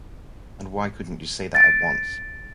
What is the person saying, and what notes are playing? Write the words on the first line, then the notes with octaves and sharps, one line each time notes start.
And why couldn’t you say that at once?
A6 D7